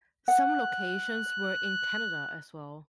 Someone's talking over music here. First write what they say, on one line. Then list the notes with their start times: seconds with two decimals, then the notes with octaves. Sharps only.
Some locations were in Canada as well.
0.28 F#5 F#6